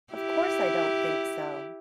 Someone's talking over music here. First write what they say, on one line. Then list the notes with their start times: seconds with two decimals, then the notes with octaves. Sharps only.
Of course I don’t think so!
0.14 E4 G4